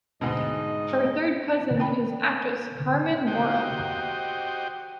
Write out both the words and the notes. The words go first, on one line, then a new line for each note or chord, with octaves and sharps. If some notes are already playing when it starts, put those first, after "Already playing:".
Her third cousin is actress Carmen Maura.
D2 G#2 B2 D#4 D#5
C4 C#4 G5 B5
F#4 G4 C5 D#5 G5